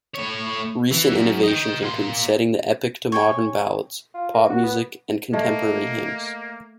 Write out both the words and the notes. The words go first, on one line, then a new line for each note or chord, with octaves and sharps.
Recent innovations include setting the epic to modern ballads, pop music, and contemporary hymns.
A2 C#5
E3
F#2
D#5 G5
A#3 C6
C#5 G5 G#5
F4
A#3
F#4
B3
A3 A#3 D#5